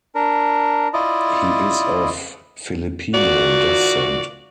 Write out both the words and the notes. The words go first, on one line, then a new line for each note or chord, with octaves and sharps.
He is of Filipino descent.
D4 A#4
E4 F4 D5 D#5
D#3 F4 F#4 D5